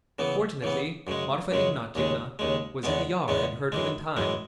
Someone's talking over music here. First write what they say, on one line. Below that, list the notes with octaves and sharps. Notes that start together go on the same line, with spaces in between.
Fortunately, Marfa Ignatyevna was in the yard and heard him in time.
C#3 E3 B3
C#3 E3 B3
F#2 C#3 G#3
F#2 C#3 G#3
D#2 C#3 G#3
D#2 C#3 G#3
E2 C#3 G#3 B3
E2 C#3 G#3 B3
F#2 E3 G#3
F#2 E3 G#3